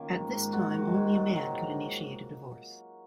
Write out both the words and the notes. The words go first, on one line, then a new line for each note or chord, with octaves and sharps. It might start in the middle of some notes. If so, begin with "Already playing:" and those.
At this time only a man could initiate a divorce.
Already playing: D#3 A#3 C#4 F4
G#2
G#2
G#3 F#4
D#3
G#2
F#3
D#3